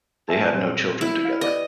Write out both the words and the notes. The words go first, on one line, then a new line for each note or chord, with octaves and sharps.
They had no children together.
E5 G#5 A5
A#2 G3 C4
E4
F5 F6
G4 B4 D5 D#5